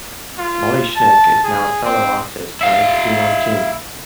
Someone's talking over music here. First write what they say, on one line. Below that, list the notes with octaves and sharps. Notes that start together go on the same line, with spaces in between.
Molly Schnick is now a solo artist known as Jean on Jean.
F4
A5
G#4
C4
E4 F5